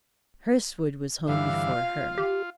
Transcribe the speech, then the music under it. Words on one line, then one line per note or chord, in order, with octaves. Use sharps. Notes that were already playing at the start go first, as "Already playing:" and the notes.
Hurstwood was home before her.
G2 D3 E3 F5
F4
G4